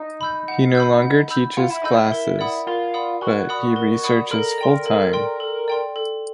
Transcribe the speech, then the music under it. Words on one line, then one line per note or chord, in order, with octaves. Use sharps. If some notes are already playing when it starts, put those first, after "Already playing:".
He no longer teaches classes, but he researches full-time.
Already playing: D#4
B5 E6 G6
F#5
B5 E6 G6
F#5
B5 E6 G6
F4 F#5
E4
D#4 B5 E6 G6
E4
A#4
D5 F#5 B5 D#6
F4 A#4
D5 F#5 B5 D#6
F#4 A#4
D5 F#5 B5 D#6
A#4
D5 F#5 B5 D#6
A4 A#4
D5 G5 C6
A4
D5 G5 C6
A4
D5 G5 C6
A4